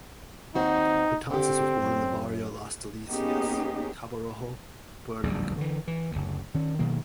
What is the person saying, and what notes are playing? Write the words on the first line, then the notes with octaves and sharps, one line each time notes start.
Betances was born in the "Barrio" Las Delicias, Cabo Rojo, Puerto Rico.
D#2 C4 D#4 F#4
D3 C4 G4
F#2
A#3 B3 C#4 D#4 G4 G#4
D1 A#1 E2 G3
D3 E3
E3
F#1 D2
D#3 C#4
B2 D#3 F#3 A#3